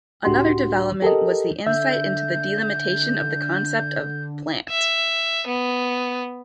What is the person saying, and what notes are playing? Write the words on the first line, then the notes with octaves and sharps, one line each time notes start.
Another development was the insight into the delimitation of the concept of 'plant'.
C#2 A2 D4 F#4 G4 C6
G4 A4 A#4 D#5
D3 E5 G6
E5
B3